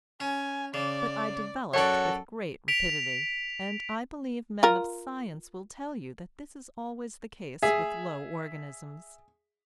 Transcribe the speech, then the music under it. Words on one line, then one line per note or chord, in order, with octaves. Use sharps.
But I developed with great rapidity; and I believe men of science will tell you that this is always the case with low organisms.
C#4 G#5
C#3 D5
F#2 F#4 A4 C#5 D5
B6 D7 F7
F4 A#4
G#4 E5